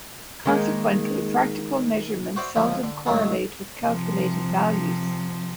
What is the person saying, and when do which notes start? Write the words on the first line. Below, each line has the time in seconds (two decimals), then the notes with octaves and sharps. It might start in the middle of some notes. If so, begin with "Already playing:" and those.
Consequently, practical measurements seldom correlate with calculated values.
0.46 D#3 G#3 A#3
2.36 F#4 C5 D5 E5
2.56 C#2 D3 F3 E4
2.84 D3
3.06 C#2 A2 D#3 F#3 G#3 A4
3.83 C3 F3